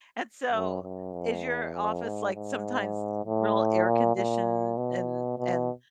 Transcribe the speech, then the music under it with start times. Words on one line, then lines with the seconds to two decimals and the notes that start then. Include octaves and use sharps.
and so, is your office, like, sometimes e real air conditioned and and
0.52 F#2
0.82 F#2
1.13 F2
1.43 E2
1.73 F2
2.04 G#2
2.34 G#2
3.25 A2
3.86 A#2
4.16 A#2
4.77 B2
5.38 B2